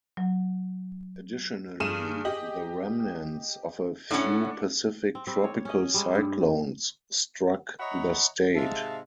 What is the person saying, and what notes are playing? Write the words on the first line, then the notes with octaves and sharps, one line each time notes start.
Additionally, the remnants of a few Pacific tropical cyclones struck the state.
F#3
G2 G#4 D#7 E7
G4 D#5 F#7
A2 C#4 D4 F#5 C#7
C4
G3 C4
C#5
C#4 D#5
G3 G#3
G2
C#5 D#5 E5 F#5 A#5 B5
G#2 C3 G#3 E5 F5 A5